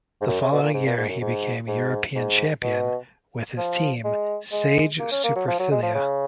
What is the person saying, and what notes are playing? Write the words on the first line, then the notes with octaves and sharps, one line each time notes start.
The following year he became European Champion with his team "Sage Supercilia".
G#2
F#2
C#3
B2
A#2
G#2
A#2
G#2
F#2
G#2
G#2
G#2
B2
F3
G#3
G#3
A#3
C#4
A#3
F#3
F3
F#3
G#3
F3
C#3